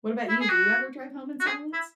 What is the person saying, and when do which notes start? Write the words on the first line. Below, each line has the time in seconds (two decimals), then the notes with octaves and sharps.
What about you? Do you ever drive home in silence?
0.29 E4
0.41 G#4
0.49 F#4
1.40 F#4
1.47 G#4
1.73 E4